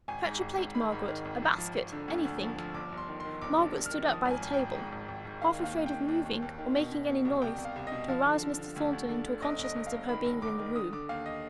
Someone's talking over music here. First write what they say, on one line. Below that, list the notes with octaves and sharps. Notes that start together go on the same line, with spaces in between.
'Fetch a plate, Margaret--a basket--anything.' Margaret stood up by the table, half afraid of moving or making any noise to arouse Mr. Thornton into a consciousness of her being in the room.
G#1 G#5
G#2
G#1
G#1
D#3 B5
G#2
D#3
G#1
F3
F3
F3
D3
D2
D2
F3
F3
G1 D6
G1
C6
D#3
C6
D#3
G1 D6
G2
G1
F6
D#3
F3 D#6
G#1
G#5
G#1
G5
G#1
G#2
G#1
G#1
G#2
D#3 F5
D#2 F5
D#2
G5
D#3
D#2
D#2
D#2
D#3
B2
B2
B2
C2
C2 G5
C2
F5
C2
D#5
B2
F3 F5
D3
D3
D3
D2
D2
D3
D3
G1 D#5
G1
D#5
G1
F5
G1
D#3 B5
G1
G1 D6
D#3
D3 D#6
D3 D6
D#2 F5
D#5